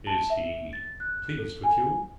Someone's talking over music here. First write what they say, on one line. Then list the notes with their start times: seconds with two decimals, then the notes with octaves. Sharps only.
"Is he pleased with you?"
0.07 A5
0.30 E5
0.73 A6
1.00 F#6
1.38 A4
1.64 G#5